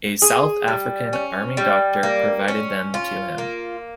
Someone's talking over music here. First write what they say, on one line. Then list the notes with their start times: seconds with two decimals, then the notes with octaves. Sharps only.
A South African Army doctor provided them to him.
0.22 G#4
0.68 G3
1.13 C#4
1.57 G3
2.03 A#3
2.48 C#4
2.94 F4
3.38 A#3